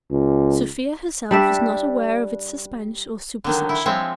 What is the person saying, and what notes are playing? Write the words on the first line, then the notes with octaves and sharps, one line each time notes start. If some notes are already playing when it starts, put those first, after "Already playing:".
Sofia herself was not aware of its suspense or supersession.
C#2
G3 D4 E5
D3 D#3 F#3
E4
F3 G#3 C4 C#5 E5